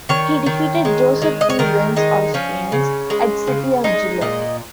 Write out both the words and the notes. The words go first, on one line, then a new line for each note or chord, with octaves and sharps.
He defeated Joseph De Vins' Austrians at city of Gilette.
D#3 C#5
D#3
G#3
G#3
D#5
C#5
D#3 A#4
G#3 D#4
F3 C#4
C#3
G#3
C#3
G#3 D#4
A#2 D#5